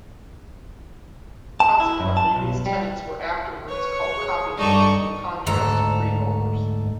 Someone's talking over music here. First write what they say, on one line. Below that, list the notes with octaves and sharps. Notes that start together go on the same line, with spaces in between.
Consequently, these tenants were afterwards called copyholders, in contrast to freeholders.
A5
E4
F#2
A5
B1
G3
B4 C#5
G#4
G2 D#4 A4 D5 C#6 D6
D2 G#2 A4 A#5